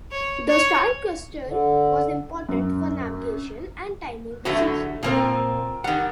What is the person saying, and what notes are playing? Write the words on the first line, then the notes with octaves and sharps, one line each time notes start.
The star cluster was important for navigation and timing the seasons.
C#5
C#5
D3
F#2
A2 D3 F#3 A3 F#4
A#2 F3 A#3 C4 A#4
D#3 G3 F#5